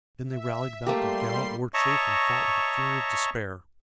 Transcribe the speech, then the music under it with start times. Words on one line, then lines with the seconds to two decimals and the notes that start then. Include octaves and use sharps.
Then they rallied about their gallant war-chief and fought with the fury of despair.
0.25 E5
0.86 G3 A3 A#3 G4 C6 C7
1.74 C#5 D#5 E5 A5 A#5 C#6